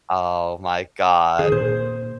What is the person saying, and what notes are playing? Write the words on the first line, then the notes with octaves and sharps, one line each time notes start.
Oh, my god.
D#3 G#4
A#2 C5